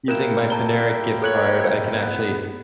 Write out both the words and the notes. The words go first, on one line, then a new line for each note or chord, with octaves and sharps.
using my Panera gift card, I can actually
A#3 E4 A#4 G5 F#6 E7
A5 A#5 G7
A4 C#5 F#6 F#7
B3